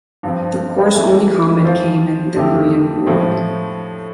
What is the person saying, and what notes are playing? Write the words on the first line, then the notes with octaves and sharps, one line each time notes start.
The corps' only combat came in the Korean War.
G2 F3 C4
E3 A3 E4
F3 C4 F4 C5
F2 D3 A3 E4 G4
A2 F3 C4